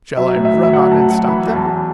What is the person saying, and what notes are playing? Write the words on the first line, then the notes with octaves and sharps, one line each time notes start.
"Shall I run on and stop them?"
F#3 E5
A2
E5
F#3
E5
F#3 F#5
A2 A5
F#3 F#5
E3 B5
E2
A5
E2